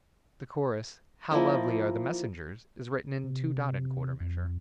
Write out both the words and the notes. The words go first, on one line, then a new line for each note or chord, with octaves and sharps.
The chorus: "How lovely are the Messengers" is written in two-dotted quarter measure.
F3 A#3 E4 D#5
C3
F2